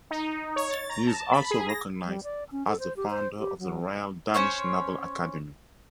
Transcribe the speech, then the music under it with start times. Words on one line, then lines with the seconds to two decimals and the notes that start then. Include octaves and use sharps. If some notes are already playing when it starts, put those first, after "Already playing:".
He is also recognized as the founder of the Royal Danish Naval Academy.
0.11 D#4
0.56 C#5
0.71 A6
0.89 A#5
1.07 A5
1.32 B5
1.51 G#4
1.69 A#6
2.05 G3
2.24 D5
2.52 C#4
2.67 A4
2.80 C5
2.96 G4
3.10 C5
3.39 G4
3.59 F#3
4.34 C#4 C5 C#5